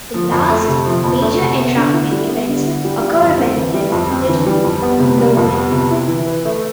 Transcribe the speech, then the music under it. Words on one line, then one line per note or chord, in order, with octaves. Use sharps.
The last major entrapment events occurred when there was little to no wind.
F3
F2
A3
C3
F3
F2
A3
C3
B3
D3
E4
G3
B3
D3
E4
G3
G3
F2
C4
E3
G3
F2
C4
E3
G3
F2
B3
C3
G3
F2
B3
C3
E4
E3
B4
A3